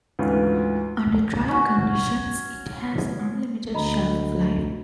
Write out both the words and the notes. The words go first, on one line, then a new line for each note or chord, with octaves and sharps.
Under dry conditions it has unlimited shelf life.
D2 G#2 E3 C#4 F4
C#4 F#4
D2 D#5 A#5 B5